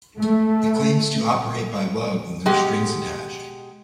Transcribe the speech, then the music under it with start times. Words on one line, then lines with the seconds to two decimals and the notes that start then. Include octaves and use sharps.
It claims to operate "by love with no strings attached".
0.18 A3
2.46 B2 G#3 G4